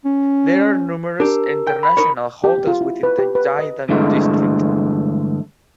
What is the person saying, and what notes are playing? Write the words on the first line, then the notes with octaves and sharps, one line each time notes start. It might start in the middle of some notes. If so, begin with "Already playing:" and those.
There are numerous international hotels within the Jiading district.
C#4
D4 G4 A#4
G5
B5
D#4 A#4 C#5
G4
F4
E4
B4
G4
B4
D#5
G2 D3 E3 G#3 A3